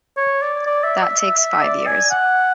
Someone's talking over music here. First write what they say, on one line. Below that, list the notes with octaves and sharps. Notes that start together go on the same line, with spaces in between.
That takes five years.
C#5
D5
D5
E5
D5
E5
E5
E5
D5
G#5
F#5